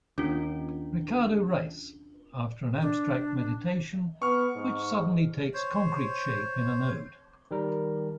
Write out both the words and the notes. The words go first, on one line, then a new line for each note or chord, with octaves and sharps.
Ricardo Reis, after an abstract meditation, which suddenly takes concrete shape in an ode.
D#2 C#4 D4 F4
D4
B3 C#6 F6
G#2
C5 C#5
D#3 G3 A#4